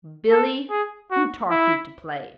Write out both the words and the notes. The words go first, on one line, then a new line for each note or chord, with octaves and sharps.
"Billy, who taught you to play?"
A4
G#4
F#4
E4